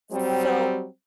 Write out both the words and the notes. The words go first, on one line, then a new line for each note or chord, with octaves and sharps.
S so
F#3 G3 C4